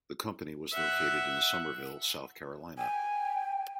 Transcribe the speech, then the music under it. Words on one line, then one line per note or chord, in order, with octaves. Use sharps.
The company was located in Summerville, South Carolina.
E5 F#5
G5 G#5